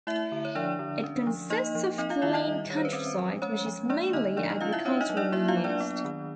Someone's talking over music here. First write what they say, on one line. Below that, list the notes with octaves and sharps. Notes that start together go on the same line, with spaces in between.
It consists of plain countryside, which is mainly agriculturally used.
A3 E4 E5
D3
C#5
F3 D4 D5
D3
C#4
F3
A#3 D#4 D#5
F3
C4 D#4 D#5
F4 F5
D#3 E4 E5
D#4 D#5
G3
D#3 C#5
C5
B4
C4 C#4 C5
F3
G#3 C#4 C#5
F3
A#3 D4 D5
D3 D#4 D#5
F3 D4 D5
D#4 D#5
C#4 F4 F5
E4 E5
C#4 D4 C#5
D#4 D#5
F#3
D4 D5
A#3 E4 E5
F4 F5
F#3
D4 D5
B3
D#3